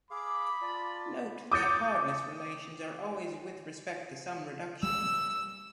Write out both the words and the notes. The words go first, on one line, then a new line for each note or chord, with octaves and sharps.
Note that hardness relations are always with respect to some reduction.
G#4 F5 B5 D6
F4 D5 A5
D6 D#6 G6 A6 C#7
G3 E6